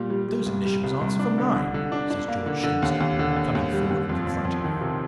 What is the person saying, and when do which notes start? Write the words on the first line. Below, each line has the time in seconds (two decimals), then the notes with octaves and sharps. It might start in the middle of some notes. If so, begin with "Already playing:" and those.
"Those initials answer for mine," says George Shenstone, coming forward and confronting her.
Already playing: A#2 G3
0.10 G3
0.28 G3
0.46 C2
0.65 G3
0.84 C2
1.01 C2
1.19 D4
1.38 D3
1.56 D3
1.74 D3
1.92 D4
2.10 D4
2.28 A#3
2.46 D3
2.64 D3
2.82 D#2
3.00 D#2
3.19 D3
3.36 D#2
3.55 D#2
3.73 G3
3.91 D#2
4.09 F2
4.27 F2
4.45 F2
4.64 D#3
4.81 C3